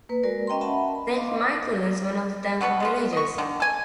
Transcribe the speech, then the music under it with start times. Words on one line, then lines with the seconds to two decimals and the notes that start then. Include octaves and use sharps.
Saint Michael is one of the Thankful Villages.
0.09 A#3 B4
0.23 G#3 F#4 A#4 D5
0.47 C#4 D#5 G5 A#5 C6
0.61 E5 F#5 A5 B5
0.95 B5
1.16 D#5 F5 C6 D6
2.61 B2 B3 A4 C#6
2.80 G#3 B3 F4
3.13 D#5 C#6
3.38 D3 D#3
3.60 A4 G#5